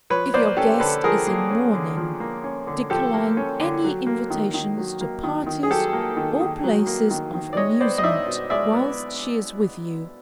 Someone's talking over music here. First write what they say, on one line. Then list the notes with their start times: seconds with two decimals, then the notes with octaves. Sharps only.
If your guest is in mourning, decline any invitations to parties or places of amusement whilst she is with you.
0.10 F3 B4 C#5
0.34 A#3 C5 D5
0.57 C#4 G4 A4
0.80 D3 A4 B4
1.04 F3 G#4 A#4
1.27 A#3
1.50 C#4
1.73 D3
1.97 F3
2.20 A#3
2.44 C#4
2.67 D3
2.90 F3 G4 A4
3.14 A#3
3.37 C#4
3.60 D3
3.84 F#3
4.07 A#3
4.30 D#3
4.54 D#3
4.77 F#3
5.01 A#3
5.23 D#3
5.47 D#3
5.63 G#4
5.70 F#3 G4 A4
5.93 A#3
6.17 D#3
6.40 D#3
6.64 F#3
6.87 A#3
7.11 D#3
7.34 D#3
7.53 D5
7.57 G#3 C#5 D#5
7.80 B3 C5 D5
7.98 D#5
8.04 D#4 D5 E5
8.26 B2
8.50 G#3 D5 E5
8.73 B3